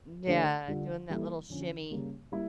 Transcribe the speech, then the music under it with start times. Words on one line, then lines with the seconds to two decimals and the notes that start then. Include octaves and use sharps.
yeah, doing that little shimmy.
0.27 D3 A3 D4 G4 C#5
0.68 D3 G3 D4 F4
1.09 E3 G3 A#3 E4 A4
1.50 D3 F3 C#4
1.91 C#3 G3 A#3
2.32 G3 A#3 E4